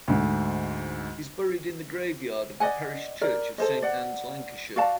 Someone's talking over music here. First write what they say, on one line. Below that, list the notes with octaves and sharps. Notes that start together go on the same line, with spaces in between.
He is buried in the graveyard of the Parish Church of Saint Annes, Lancashire.
D2 G#2
D5 D#5 F#5 G#5
A#4 D5
A4 C5 D#5
D5 F#5
F#4 D5 F5 A5